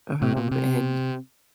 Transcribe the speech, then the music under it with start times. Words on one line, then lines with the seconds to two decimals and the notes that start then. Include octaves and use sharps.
uh-huh um, and
0.22 A2
0.37 A#2
0.51 C3